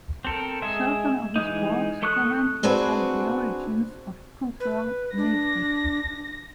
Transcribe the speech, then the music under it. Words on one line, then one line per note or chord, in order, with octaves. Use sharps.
Certain of his works comment on the origins of cultural myths.
C4 A4 A#4
G#3 G#4 E5
E3 G#3 D#4
A3 A4 C#6 D#6 F#6
C4 D4 F#4 G#4 B4
B4
D4 A#6